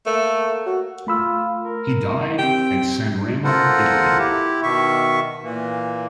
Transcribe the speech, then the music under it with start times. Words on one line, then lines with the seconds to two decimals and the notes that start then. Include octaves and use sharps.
He died at Sanremo, Italy.
0.06 A3 A#3
0.66 F#4
1.07 A3 F4 B5 E6
1.61 A#4
2.38 C4 G4 G5
3.44 F4 A4 A#4 C5 F#5
4.18 E4 G4
4.63 B2 D#3 E5 C#6
5.44 A#2 E3 A#3